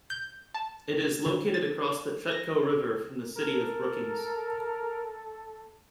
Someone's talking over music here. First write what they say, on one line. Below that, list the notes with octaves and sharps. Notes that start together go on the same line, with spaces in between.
It is located across the Chetco River from the city of Brookings.
G6
A5
D3
A6
A#6
A4 A#4